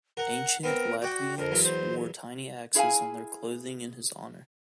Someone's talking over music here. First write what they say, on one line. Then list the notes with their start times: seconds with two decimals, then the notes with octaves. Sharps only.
Ancient Latvians wore tiny axes on their clothing in his honor.
0.17 A#4 F#5
0.63 B3 C4 A#4
1.02 F#4 D5 G5
1.38 F2 A#4
1.52 E2 F#3
1.64 C5
2.75 E4 G#4 E5 F5 G#5